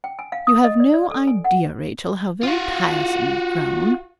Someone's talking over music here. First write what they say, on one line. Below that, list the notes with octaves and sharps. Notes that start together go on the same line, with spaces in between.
'You have no idea, Rachel, how very tiresome you've grown.'
G5
G#5
F5
D#6
D#5
D5
D5
A4
G#5
F#5
F4 F#4